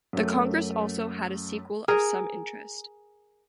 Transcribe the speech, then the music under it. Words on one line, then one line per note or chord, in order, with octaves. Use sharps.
The congress also had a sequel of some interest.
F#2 A3
G#4 A#4